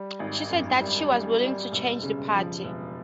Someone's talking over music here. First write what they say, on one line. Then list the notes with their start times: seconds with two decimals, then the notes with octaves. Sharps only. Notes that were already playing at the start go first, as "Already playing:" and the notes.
She said that she was willing to change the party.
Already playing: G3
0.19 G#1
0.51 F#2
0.80 G3
1.11 G3
1.42 G3
1.72 E1
2.03 C#3
2.33 F3
2.64 E1